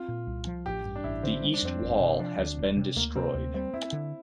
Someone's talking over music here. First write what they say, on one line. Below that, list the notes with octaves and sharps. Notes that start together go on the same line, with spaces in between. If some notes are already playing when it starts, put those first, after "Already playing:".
The east wall has been destroyed.
Already playing: C4 F4
A#2
C2
F3
A1 G4
G2
D4
A1 E4
D3 C4
G3 C4
D4
F2 C4
G1
C3
F3 D4
D2
E1
C3
D2 A#3
C3 C4
D2
G3 C4
C4 E4
D3